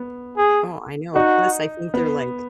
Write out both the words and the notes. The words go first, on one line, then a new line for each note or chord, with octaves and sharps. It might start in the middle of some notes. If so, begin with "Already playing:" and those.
Oh, I know, plus, I think they're, like,
Already playing: B3
G#4
D#4 F#4
B3